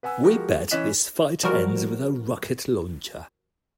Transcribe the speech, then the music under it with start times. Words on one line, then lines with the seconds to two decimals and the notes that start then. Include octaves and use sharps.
We bet this fight ends with a rocket launcher.
0.03 B4 F#5 G#5 E6
0.23 F3 G#3 F#4 G4 A#4
0.71 E3 C#4 D#5 F#6 B6 E7
1.43 F3 G3 F#4 A#4